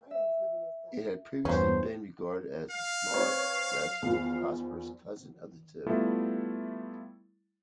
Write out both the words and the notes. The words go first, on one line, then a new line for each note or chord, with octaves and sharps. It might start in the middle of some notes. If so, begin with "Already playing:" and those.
It had previously been regarded as the smaller, less prosperous cousin of the two.
E5
E2 G2 B3 C#4 C5
F5
C4 B4 C#5
E2 D#3 F3
G3 A3 B3 E4 F4 A4